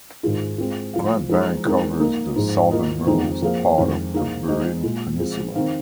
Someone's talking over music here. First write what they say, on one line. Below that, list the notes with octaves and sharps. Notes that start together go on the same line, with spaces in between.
Grand Bank covers the southernmost part of the Burin Peninsula.
G#2 D#3 G#3 F4 G#4
G#3 C4 F4
F3 G#3 F4 C5 F5
F3 G#3 D#4
F3 G#3 C4 D#4 A#4
A#3 D#4 A#4
G#2 F3 G#3 D#4 C5
A#3 F4 A#4 D#5
F2 D#3 G#3 C4 D#4
F3 A#3 G#4 F5
F2 D#3 G#3 F4 C5
A#3 D#4 G#4 F5
G#3 D#4 C5 D#5
A#2 G#3 F4 G#4
F3 G#3 C4 F4 G#4
D#3 C4 D#4 C5 F5